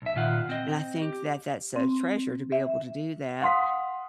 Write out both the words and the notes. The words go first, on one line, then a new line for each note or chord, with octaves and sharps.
and I think that that's a treasure to be able to do that.
B1 E5
A#2 D#3 F4 F5 F#5
C4 D#5
G4
C4
E5
F5 F#5 C6 D#6 B6